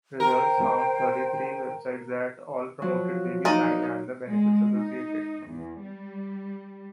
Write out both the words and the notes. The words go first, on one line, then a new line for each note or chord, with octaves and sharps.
Results found thirty-three websites that all promoted baby sign and the benefits associated.
A#4 C5 G5
F3 F#3
A#3 D#4 D5 D#5
G#3
D#4
E2
G3